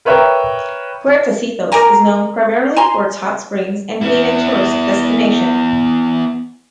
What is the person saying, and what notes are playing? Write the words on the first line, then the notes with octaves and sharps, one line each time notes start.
Puertecitos is known primarily for its hot springs and being a tourist destination.
A#4 B4 C#5 E5 G5 A#5
A#4 D5 G#5 A#5
G#5 A#5 C6
B3 E4